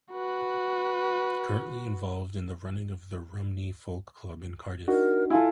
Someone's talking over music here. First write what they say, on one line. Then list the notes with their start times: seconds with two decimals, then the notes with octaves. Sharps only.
Currently involved in the running of the Rumney Folk Club in Cardiff.
0.12 F#4 B4
4.88 D4 D#4 F#4 A#4
5.30 E4 F4 A4 G#5